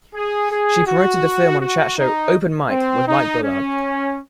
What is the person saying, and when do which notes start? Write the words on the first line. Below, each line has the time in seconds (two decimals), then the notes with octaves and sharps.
She promoted the film on chat show "Open Mike with Mike Bullard".
0.15 G#4
0.51 G#4
0.87 F#4
1.60 F#4
1.98 D#4
2.70 C4
3.08 D#4
3.43 C#4